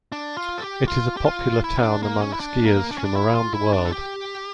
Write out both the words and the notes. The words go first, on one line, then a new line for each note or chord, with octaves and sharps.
It is a popular town among skiers from around the world.
D4
F4
A4
G4
F4
G4
F4
E4
C#4
D4
A#3
C#4
E4
D4
A#3
D4
C#4
D4
E4
F4
E4
D4
A4
G4